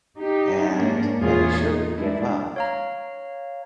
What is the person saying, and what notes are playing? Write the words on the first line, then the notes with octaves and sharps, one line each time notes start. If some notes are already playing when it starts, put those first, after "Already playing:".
And that he shouldn't give up,
D#4 G4
G#2 A#3 C#4 D4
E2 A#2 E3 F4 G#4 C#5
D#4
G#3 D4 E4
C#5 F5 A#5